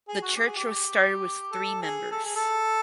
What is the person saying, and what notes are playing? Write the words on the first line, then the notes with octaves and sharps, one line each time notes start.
The church was started with three members.
G#4
F#4
G4
G#4
G4
A4
G#4
A4
G#4
A4